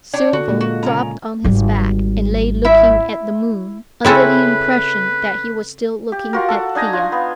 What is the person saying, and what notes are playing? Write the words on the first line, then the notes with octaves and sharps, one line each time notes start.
Silvo dropped on his back and lay looking at the moon, under the impression that he was still looking at Thea.
D4 C#5 G5
D3 F#4
A#2 G#3 A#3
F#4
C#3 C#4 A#5
G#1 G3
E4 E5
C#3 C4 C#4 E4 A4 B4
G4
F4 F#4 A#4
A4 F#5
D4 D#4 G#5 A#5
F4
B3